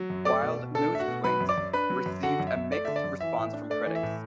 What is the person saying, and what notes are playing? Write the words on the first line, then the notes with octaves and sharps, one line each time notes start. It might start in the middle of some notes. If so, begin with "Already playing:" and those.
"Wild Mood Swings" received a mixed response from critics.
Already playing: F#3
F#2
A3 D5 D6
B2
B2
D4 A4 A5
A3 E5
F#4 F#5
B2
F#3 B4 B5
F#2
D5 D6
F#2
D4 B4 B5
F#3
F#2
D3 F#4 F#5
F#2
E5
F#2
A3 D5
D3 E5
D5
F#2
E3 E5
A2
D4
A3 D5
E3
E5
A2